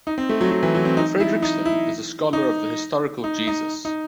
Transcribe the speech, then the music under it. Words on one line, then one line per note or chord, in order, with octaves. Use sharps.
Fredriksen is a scholar of the historical Jesus.
D#4
C4
A3
F#3
F#3
E3
F#3
C4
D#4
E4
D#4
E4
D#4
D#4
D#4
D#4